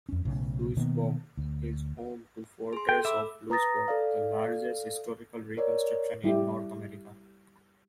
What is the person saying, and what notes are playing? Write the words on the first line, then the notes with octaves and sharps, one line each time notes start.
Louisbourg is home to Fortress of Louisbourg, the largest historical reconstruction in North America.
F2 C#4
B1 A2 C#3
B2 D#3 A#3 B3
D2
G#4 C6
A4 G5
E5 B5 D6 E6
B4 A#5 D#6 A6 A#6
A4 D5 F5
A#4 C#5 D5
G3 E4 G4